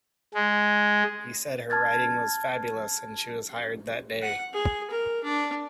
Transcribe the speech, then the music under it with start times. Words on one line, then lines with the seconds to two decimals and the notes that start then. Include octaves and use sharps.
He said her writing was fabulous', and she was hired that day.
0.34 G#3
1.70 A5 F6 G#6 A6
4.22 F#5
4.53 G#4
4.90 A#4
5.24 D4